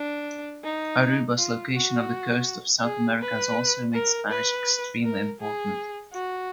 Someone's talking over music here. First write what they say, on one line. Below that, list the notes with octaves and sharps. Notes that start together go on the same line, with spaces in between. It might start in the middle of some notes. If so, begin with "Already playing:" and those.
Aruba's location off the coast of South America has also made Spanish extremely important.
Already playing: D4
D#4
F4
F#4
G#4
B4
A#4
B4
A#4
G#4
F#4